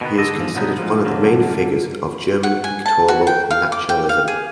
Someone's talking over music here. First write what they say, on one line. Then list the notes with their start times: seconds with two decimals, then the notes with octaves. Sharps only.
He is considered one of the main figures of German pictorial naturalism.
0.01 B2 D#3 B3
0.18 D3 D4 A4 D#5
0.36 E2 F3
0.55 G2 B2 D3 F#3 B3 D#4
0.78 G#2 F3
1.05 C2 F#2 D3 F#3 A#3
2.43 F#5
2.64 G#5
2.86 A5
3.08 F#4
3.27 G5
3.51 F5
3.72 D6
3.89 G5
4.09 F5
4.28 G#4